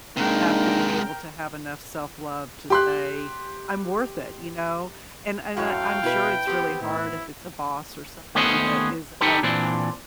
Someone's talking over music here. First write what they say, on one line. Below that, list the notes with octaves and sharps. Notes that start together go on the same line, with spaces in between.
have to be able to have enough self love to say, "I'm worth it." You know? And and I I'm sure it's really hard if it's a boss or somebody that is of e
C3 G#3 A#3 D4 D#4 A#4 G5
G4 C6 F#6
F#2 A2 F#4 C#5 F5 G5
B2 E4 B4
B3 C4 G4
A2 E4
D#2 A3 B3 C#4 C5 D#5
D#4 G4 A4 B4
A#2 E3 C4 D4